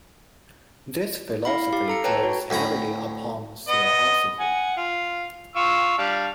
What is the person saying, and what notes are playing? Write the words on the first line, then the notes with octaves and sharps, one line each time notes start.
This philosophy draws heavily upon Theosophy.
E4 F5 B5
G4 F5
A4 A#5 C#7
B4 C#5 G5 A5 A#5
F#4
D2 A2 C#5 A#5 B5
B3 D#5
F#5 G#5
F4
F4 C#6 E6
G3 D4 F5